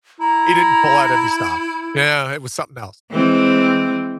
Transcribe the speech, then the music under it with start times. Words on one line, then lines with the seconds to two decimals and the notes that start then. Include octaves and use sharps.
he didn't pull out any stops. Yeah, it was something else.
0.20 E4 A#5
3.11 E3 G#3 C4